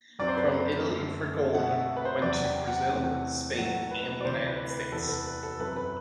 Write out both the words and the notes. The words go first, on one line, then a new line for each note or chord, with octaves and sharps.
From Italy Fregoli went to Brazil, Spain, and the United States.
F#2 F#3 C4 D5
C5
B4
C5
F#2 D3 A3
B2 A3 C4 F#5
E5
B4
C5
E2 C3 F#3 B3 D5
G5
F#5
E2 C3 E3 A3 C4 F#5
A2 F#3 A3 F#5
B4
D5
D2 C3 E3 A3 C5
B4
B4
E2 C3 E3 B3 A4
B4
B4
A4
F#2 F#3 C4 B4
B4